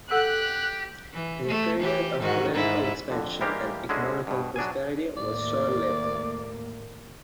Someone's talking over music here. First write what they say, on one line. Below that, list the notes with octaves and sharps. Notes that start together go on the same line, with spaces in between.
The period of political expansion and economical prosperity was short-lived.
G4 A4 F#5 E6 F#6
E3
A3
E3 G4
G#2 D#3 F#4
G#2 E4
F2 D3
E3 G3 G#3 A#3 G4 F5
D3 G#3 C#4 E4 F#4 G#4
G2 B2
F#3 D4 G#4 G#5
D#2 A2 A#3 D5